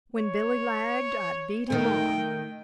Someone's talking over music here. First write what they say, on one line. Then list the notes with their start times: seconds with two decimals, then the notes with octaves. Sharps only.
When Billy lagged I beat him on.
0.19 C#5
1.70 D#3 A3 G5